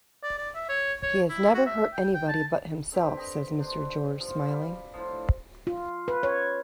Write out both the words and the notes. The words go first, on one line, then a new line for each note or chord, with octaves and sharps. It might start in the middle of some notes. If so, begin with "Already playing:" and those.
"He has never hurt anybody but himself," says Mr. George, smiling.
D5
D5
E5
C#5
C#5
E4
F#4
E5
G5
G5
A5
D3 C4 G4 B4
G4 D#5
D4 C5
F3
G3
A2 D3 F3
F4
B4
C#5